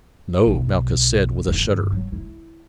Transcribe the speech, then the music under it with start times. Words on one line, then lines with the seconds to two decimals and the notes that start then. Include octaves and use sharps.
"No," Malchus said with a shudder.
0.47 B1 B2
1.48 G2 D3
1.92 F#3
2.12 E4